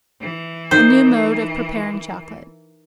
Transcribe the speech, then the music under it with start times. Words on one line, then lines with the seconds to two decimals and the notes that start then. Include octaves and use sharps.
A New Mode of Preparing Chocolate.
0.20 E3
0.71 D#4 A#4 C5 D#6